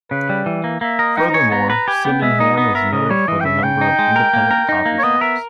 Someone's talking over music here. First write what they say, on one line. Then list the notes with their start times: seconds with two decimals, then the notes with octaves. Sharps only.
Furthermore, Sydenham is noted for the number of independent coffee shops.
0.11 C#3 B4
0.29 G3
0.46 E3
0.64 A#3
0.81 A#3 E5
0.99 A#4 D#5
1.17 D#4 G5
1.29 A#5
1.34 C#5 G#5
1.52 B3 A#5
1.69 B4 A#5
1.88 G4 G#5
2.05 B3 G5
2.22 G#3 E5
2.40 D#4 D#5
2.57 B3 D#5
2.75 A#4 E5
2.93 C#3 D#5
3.10 G3 C#5
3.28 E3 D#5
3.41 G5
3.45 C#3 E5
3.63 C#3 G5
3.81 D#4
3.99 G#3
4.16 A#4
4.33 A#3
4.51 A#4
4.69 D#4
4.86 A#3
4.99 C#5
5.04 B3 D#5
5.21 A#4 E5